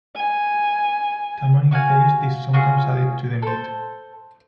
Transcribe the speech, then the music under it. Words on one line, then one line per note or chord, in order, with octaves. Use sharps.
Tamarind paste is sometimes added to the meat.
G#5
C#4 F#4 F5 G#5
C#4 F4 F#4 G#4
A4 C5